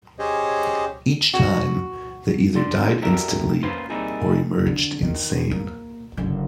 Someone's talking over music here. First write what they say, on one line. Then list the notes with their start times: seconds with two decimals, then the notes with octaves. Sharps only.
Each time, they either died instantly or emerged insane.
0.19 C#4 G4 G#4 C5 C#5 D#5
1.34 F#4
2.56 D4 D5 C6
3.02 F#4 G4 A4 A#4 D5 E5
3.63 A#3 C#4 F4 B4 C5
3.90 G3 A#3 C4 D#4 E4 G#4
4.66 D3
5.02 D#3
5.51 A#3
6.17 F#1 D3